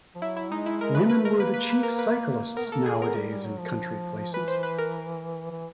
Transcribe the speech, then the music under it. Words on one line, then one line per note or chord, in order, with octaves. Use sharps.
Women were the chief cyclists nowadays in country places.
F3
F#3 E4
E4
G#3 D#4
E4
G#3 A#4
B4
A3 B4
A#4
A#3 B4
B4
B4
A#4
B4
B3 A#4
A3
A#3 A4
A#3 G#4
B3 A#4
G3
G3
F#3
F3
E3 B4
C5
B4
A#4
E3